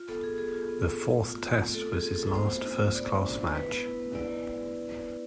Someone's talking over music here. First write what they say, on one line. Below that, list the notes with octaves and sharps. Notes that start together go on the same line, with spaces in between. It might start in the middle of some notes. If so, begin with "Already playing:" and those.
The Fourth Test was his last first-class match.
Already playing: F4
B3 A4
F4 G#4
B3 G#4
F4
B3
F4
B3
A3
F4
C4
A3
A3 A4
F4 G#4
C4
A4
A3
B3 C5
F4
D4
B3
B3 D5
F4
D4
B3
E4 B4
B3
E4
B3
E4 D5